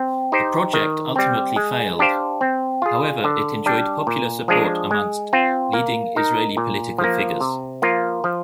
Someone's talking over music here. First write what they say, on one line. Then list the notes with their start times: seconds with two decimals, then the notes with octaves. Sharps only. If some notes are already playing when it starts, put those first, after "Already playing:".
The project ultimately failed, however it enjoyed popular support amongst leading Israeli political figures.
Already playing: C4
0.32 D#4 G4 C5
0.73 D#3
1.16 G3 C4
1.56 G#3
1.99 D4 G4 C5 F5
2.41 C4
2.82 F4 G#4
3.24 D3
3.66 G3 D4
4.07 A#2
4.48 F3 G#3 D4 G#4
4.91 G#3
5.33 C4 F4
5.73 A#3
6.16 D#4 A#4
6.57 A#2
6.98 F3
7.04 A#3
7.41 C3
7.82 F3 A#3 F4
8.24 F3